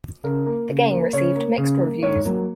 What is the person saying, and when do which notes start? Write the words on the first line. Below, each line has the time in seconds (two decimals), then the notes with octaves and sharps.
The game received mixed reviews.
0.24 C#3 A#4
0.46 A#3
0.69 C#3
0.91 A#3
1.13 C#3 C#5
1.35 A#3
1.58 C#3
1.80 A#3
2.02 G#2 C#5
2.25 F#3 A#3